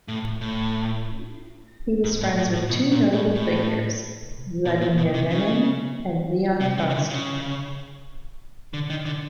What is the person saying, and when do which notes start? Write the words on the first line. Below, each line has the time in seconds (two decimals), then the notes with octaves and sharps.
He was friends with two notable figures, Vladimir Lenin and Leon Trotsky.
0.08 A2
0.41 A2
2.04 G#2
2.21 A2
2.38 A2
2.53 A2
2.69 B2
2.92 A#2
3.13 A2
3.35 A2
4.65 A#2
4.81 A#2
4.97 B2
5.14 C3
5.31 C#3
6.61 C3
6.78 C#3
6.90 C#3
6.94 D3
7.10 C#3
8.74 D3
8.90 D#3
9.05 D3